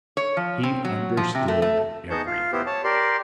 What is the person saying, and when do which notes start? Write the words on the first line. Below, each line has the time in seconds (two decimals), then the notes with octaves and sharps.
He understood everything.
0.17 C#5
0.37 F3
0.63 C4
0.85 F#3
1.17 F3
1.35 C3
1.48 A3
1.62 A3
2.10 B3 D#4 G#4 A5 C#6 G6
2.26 F4 F5
2.52 B3 E4 G4 C5
2.66 C#5 A5
2.84 G4 A#4 D5 C6